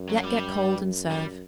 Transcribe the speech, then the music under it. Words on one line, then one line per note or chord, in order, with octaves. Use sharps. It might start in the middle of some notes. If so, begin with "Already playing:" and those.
Let get cold and serve.
Already playing: F#2
F#3
G3
G2
F#2
G3